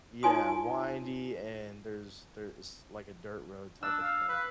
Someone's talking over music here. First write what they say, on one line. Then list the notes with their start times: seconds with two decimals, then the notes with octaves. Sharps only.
Yeah, windy, and there's there is like a dirt road type of thing.
0.23 D#4 F4 C#5 G#5 C6 D#6
3.83 D4 E6
4.02 F5
4.29 B4